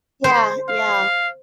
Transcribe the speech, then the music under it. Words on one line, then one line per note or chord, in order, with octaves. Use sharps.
Yeah, yeah.
C5
F5